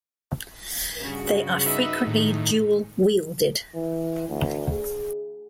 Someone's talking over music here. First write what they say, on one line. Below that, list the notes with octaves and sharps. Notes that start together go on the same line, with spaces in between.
They are frequently dual wielded.
G2 C#3 F#4
D#4 B4 E5
A2 D#3
E3
D2
G#4